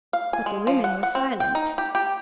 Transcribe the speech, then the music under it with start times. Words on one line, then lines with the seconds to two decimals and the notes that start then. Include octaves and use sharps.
But the women were silent.
0.13 F5
0.33 G#5
0.46 G#3
0.67 F3
0.84 F#5
1.03 F#5
1.15 C4
1.40 G5
1.55 D#4
1.78 G4
1.95 G4